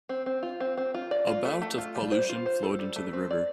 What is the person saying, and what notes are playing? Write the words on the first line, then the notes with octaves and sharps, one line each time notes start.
About of pollution flowed into the river.
C4
C4
F4
C4
C4
F4
D5
F4
A3
A3
F4
G3
C5
F4
C5
A4
G3
A3
C4
D5